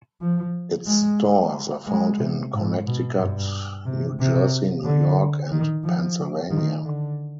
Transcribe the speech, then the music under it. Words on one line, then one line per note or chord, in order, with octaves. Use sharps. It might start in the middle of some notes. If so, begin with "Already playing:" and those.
Its stores are found in Connecticut, New Jersey, New York, and Pennsylvania.
F3
G#3
G#3
C3
G#2
B2
G2
C3
C3
D3
D#3
F3
D#3
D3